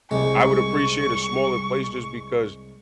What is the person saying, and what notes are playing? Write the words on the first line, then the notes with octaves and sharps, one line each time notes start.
I would appreciate a smaller place just because
C2 C3 G3 G#3 C#6